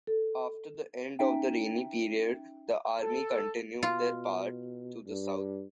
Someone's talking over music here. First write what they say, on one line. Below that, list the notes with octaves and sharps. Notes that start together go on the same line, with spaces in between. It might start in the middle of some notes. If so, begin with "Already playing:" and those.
After the end of the rainy period, the army continued their path to the south.
A4
C#4 D#4 E5 G5
A4
B2 F4
G2